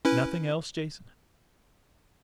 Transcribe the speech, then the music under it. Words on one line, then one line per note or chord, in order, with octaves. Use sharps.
"Nothing else, Jason?"
C#4 E4 B4